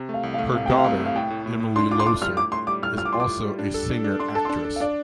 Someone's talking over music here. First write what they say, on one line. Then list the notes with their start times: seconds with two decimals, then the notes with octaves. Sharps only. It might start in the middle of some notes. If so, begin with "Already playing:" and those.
Her daughter, Emily Loesser, is also a singer-actress.
Already playing: C3
0.09 A3 F5
0.23 C2
0.34 F5
0.38 A3
0.54 C3 F5
0.66 C3 G5
0.78 F5
0.84 C2
1.00 A3
1.06 F5
1.16 A2 G5
1.30 A2
1.46 A2
1.60 A2
1.76 D4 C6
1.91 F4 D6
2.00 C6
2.06 A2 D6
2.21 G3 F6
2.37 A2 D6
2.52 A2 C6
2.67 G3 D6
2.82 A2 F6
2.97 F4 F6
3.05 D6
3.13 F4 C6
3.20 D6
3.28 A2
3.44 G3
3.59 D4
3.74 A4
3.90 D4
4.04 D4
4.19 D4 C6
4.35 A4 A5
4.45 C6
4.49 D4 A5
4.65 D4
4.76 F5
4.80 D4 D5